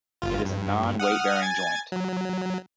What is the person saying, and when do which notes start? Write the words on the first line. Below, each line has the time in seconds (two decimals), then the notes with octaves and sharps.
It is a non-weight bearing joint.
0.22 G1 F4
0.45 G2
0.99 F#5 D#6 F6
1.42 G#5 G#6 A6
1.92 F#3